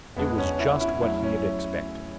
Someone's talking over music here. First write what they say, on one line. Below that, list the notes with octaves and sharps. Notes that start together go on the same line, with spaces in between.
It was just what he had expected.
E2 C#3 G#3 B3 D4
C#4
E4
E4
E2 C#3 F#3 A3 E4
C#4